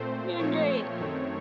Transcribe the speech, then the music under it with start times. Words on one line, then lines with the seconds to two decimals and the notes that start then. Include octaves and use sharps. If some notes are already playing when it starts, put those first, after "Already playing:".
Doing great.
Already playing: A#2 A3 C4 C5
0.38 A#2 F3 A3 C4 C#5
0.99 F#2 D#3 A3 C4